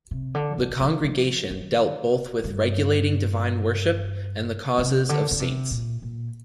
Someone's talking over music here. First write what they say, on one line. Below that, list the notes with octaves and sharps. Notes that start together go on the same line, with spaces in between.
The congregation dealt both with regulating divine worship and the causes of saints.
C3
D3
D#3
D#3
F3
F3
D#3
G2
C3
D3
D3
C3
A#2
A#2